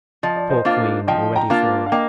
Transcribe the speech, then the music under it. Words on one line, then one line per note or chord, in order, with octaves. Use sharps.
Poor queen, already fallen!
F3 D#5
D5
C5 D#5
A#3 D4 F4
F3 D#5 G5
G5 A#5
A#3 D4 F4
F5
A#3 D#5 G5